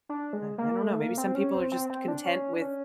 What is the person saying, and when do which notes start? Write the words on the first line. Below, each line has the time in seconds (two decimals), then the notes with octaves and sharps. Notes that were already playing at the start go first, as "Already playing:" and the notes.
I I don't know, maybe some people are just content with
0.09 D4
0.33 G#3
0.58 A#3
0.82 A3
0.99 A#3
1.17 C4
1.35 C#4
1.54 C4
1.72 C4
1.90 C4
2.08 D4
2.26 C#4
2.53 D4
2.62 C#4